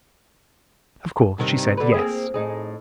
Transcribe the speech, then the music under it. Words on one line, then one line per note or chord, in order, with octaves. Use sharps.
Of course she said, Yes.
G2 C3 D#3
D3 B4
A#3 C4 G#4
A2 D#4 G#4